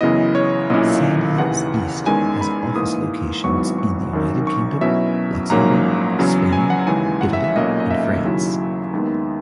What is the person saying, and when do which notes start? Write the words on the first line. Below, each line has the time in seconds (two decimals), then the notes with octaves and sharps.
Sandhills East has office locations in the United Kingdom, Luxembourg, Spain, Italy, and France.
0.01 F#2 C#3 E3 B3 E4 D#5
0.35 C#5
0.70 B1 A#2 A#3 C#4 E4 D#5
1.38 D#2 C#3 E3 F#5
2.06 E2 D#3 G#3 C#4 G#5
2.41 B5
2.75 G#2 E3 A#3 D#6
3.44 G#1 G#2 F#3 B3 E4 C#6
3.78 C#6
4.13 G#1 F#2 D#3
4.47 C#6
4.81 B2 F#3 C#4 E4 E5
5.50 A#1 G#2 F#3 A#3 C#4 A#5
6.19 E2 C#3 F#3 C#4
6.53 G#5
6.70 F#5
6.87 D#2 C#3 E3 G#3 G#5
7.21 F#5
7.33 E5
7.44 E5
7.55 B1 A#2 A#3 C#4 D#5
7.80 D#5
7.90 E5
8.24 D#2 C#3 F#3 C#4 E4
8.93 D#2 D#3 G#3 B3